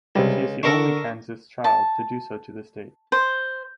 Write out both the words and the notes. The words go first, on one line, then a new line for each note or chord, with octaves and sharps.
She is the only Kansas child to do so to this date.
C#2 C3 G3
D3 D4 A#4 C#6 E6
A5
C5